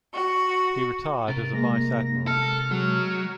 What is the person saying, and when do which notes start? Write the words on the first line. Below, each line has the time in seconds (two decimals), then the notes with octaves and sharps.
He retired as a Vice-Admiral.
0.12 F#4
1.28 C3 A#4 A6
1.53 G#3 A#3 A#6
2.27 A4 F6
2.71 F#3 G#3